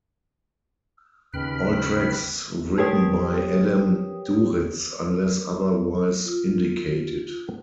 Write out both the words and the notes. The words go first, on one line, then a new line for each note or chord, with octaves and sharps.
All tracks written by Adam Duritz unless otherwise indicated.
D#2 C#3 B4 G5 B5 F6
G4 A#4 B4 C#5 G5 D#6
F4